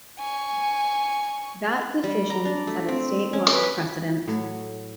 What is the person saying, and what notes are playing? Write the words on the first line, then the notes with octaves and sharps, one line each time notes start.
That decision set a statewide precedent.
G#5 C#6
G3
A#5
D4
A3
C4
C#4
B4
A2 F#3